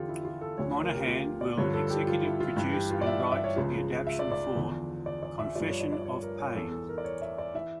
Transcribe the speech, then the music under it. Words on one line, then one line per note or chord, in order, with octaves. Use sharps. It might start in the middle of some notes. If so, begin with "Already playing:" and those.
Monahan will executive produce and write the adaptation for "Confession of Pain".
Already playing: E2 D3 F3 F4 G4 A4
E4
F4
A4
D2 D3 F3 C#5
A#4
G4
F4
D5
G2 D3 F3 C#5
A4
G4
F4
E4
F4
G2 E3 G4
G4
F4
D5
E5
E5
E5
C#5
C#2 C#3 F3
E5
D5
D5
E2 D3 F3
D5
D5
E5
G2 F3 D5
C#5
D5
D5
C#5
A#4
C#5
E2 E3 A4
A4
A#4
D5
C#5
E5
D5
E3 E5